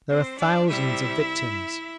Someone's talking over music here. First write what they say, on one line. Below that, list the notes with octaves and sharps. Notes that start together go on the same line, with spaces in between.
There are thousands of victims.
C4 C5
D4 D5
C3 G3 E4 E5